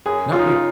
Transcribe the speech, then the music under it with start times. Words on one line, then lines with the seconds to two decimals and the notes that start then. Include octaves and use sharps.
not be
0.06 F#2 G#4
0.31 C#3 F4
0.39 D#4
0.47 F4